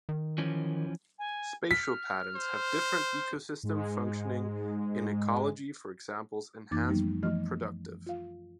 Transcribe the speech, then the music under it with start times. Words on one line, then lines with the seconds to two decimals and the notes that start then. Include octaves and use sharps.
Spatial patterns have different ecosystem functioning in ecology for examples enhanced productive.
0.09 D#3
0.38 E3 F3 C#4
1.19 G#5
1.71 F6 B6
2.36 C5
3.63 G#2 G#3
6.71 F#2 E3 A#3 D#4 D6 A6
6.89 F3 G3 A3 B3 D#4
7.23 E3 F3 A3 D#5 F6
8.07 F4 F5